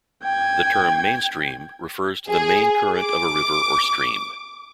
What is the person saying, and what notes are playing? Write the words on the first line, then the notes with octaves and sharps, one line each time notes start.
The term "mainstream" refers to the main current of a river or stream.
G5 G#6
G#4
D6